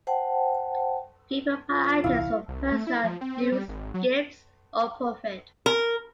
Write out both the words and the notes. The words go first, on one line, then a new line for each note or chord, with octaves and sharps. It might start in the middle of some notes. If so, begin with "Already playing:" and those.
People buy items for personal use, gifts, or profit.
C5 F#5 G5 A5
F2 F4
D#1 C2 E3 E4 F5 C#6
C2
A3
E4
F3
C4
C4
G3
G#1
F#3
A#4